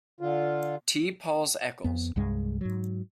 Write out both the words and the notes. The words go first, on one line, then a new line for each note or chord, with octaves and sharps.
T. Paul's Eccles.
D3 F4
F2 B3
C2 G2 G#3
G#2 F#3